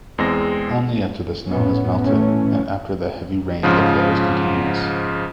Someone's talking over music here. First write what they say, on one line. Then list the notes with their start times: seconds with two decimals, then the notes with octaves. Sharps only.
Only after the snow has melted and after the heavy rain the flow is continuous.
0.18 E2 G#3 C4 A#6
1.48 A2 B3 C#4
2.05 A2 E3 A3 C#4
3.63 G#2 C#3 F3